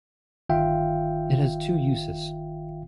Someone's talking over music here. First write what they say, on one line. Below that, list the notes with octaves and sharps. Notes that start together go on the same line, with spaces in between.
It has two uses.
G1 D#3 F4 E5 F5 G5